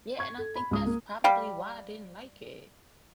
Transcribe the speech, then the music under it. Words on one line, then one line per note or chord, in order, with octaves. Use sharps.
Yeah, and I think that's probably why I didn't like it.
C#6 G#6
A4
B5
C#2 D#6
A#3
G3 F5 G5